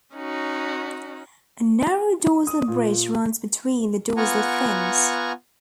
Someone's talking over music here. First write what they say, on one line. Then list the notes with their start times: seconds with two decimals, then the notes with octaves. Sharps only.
A narrow dorsal ridge runs between the dorsal fins.
0.15 C#4 D#4 F#4
2.47 D#6
2.68 A#2
4.17 B3 F4 F#5 G#5 A#5 C#6